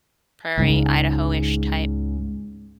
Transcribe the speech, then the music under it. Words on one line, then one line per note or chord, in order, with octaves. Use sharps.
Prairie, Idaho-ish type
C#2 G#2 C#3